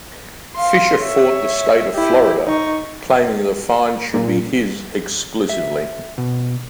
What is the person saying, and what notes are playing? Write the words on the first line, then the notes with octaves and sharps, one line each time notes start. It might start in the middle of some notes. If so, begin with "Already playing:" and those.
Fisher fought the State of Florida, claiming the find should be his, exclusively.
F5 C6
C#5 E5
E4 G4
D#4 C#6
A#2
E5
B2